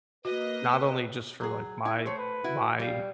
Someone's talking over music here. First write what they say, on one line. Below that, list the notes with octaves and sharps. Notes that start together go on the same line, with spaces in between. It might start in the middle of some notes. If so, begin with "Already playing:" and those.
not only just for, like, my my
A#3 F#4 B4 D#5
F#3 G#4
E4
A3 C5 C#5
B4
E4 F#4
G3 F5